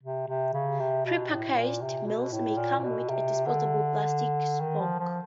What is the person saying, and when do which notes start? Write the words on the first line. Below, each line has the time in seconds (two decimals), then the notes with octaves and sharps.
Prepackaged meals may come with a disposable plastic spork.
0.03 C3
0.28 C3
0.53 C#3
0.80 C3
1.05 B2
1.30 A2
1.56 A#2
1.82 C3
2.06 B2
2.32 A2
2.57 A#2
2.79 A#2
2.84 B2
3.09 C3
3.46 D3
4.61 D#3
4.80 F3
4.99 F3